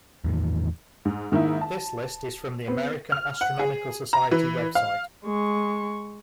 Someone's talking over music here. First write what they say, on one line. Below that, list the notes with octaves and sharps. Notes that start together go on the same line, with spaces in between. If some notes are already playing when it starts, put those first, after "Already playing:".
This list is from the American Astronomical Society website.
E2 A2 D#3
G#2
G#2 D#3 A#3 D#4 E4
A5
B3 C4
F6
F#5
G#4
A#5
E3
F5
G#3 C#6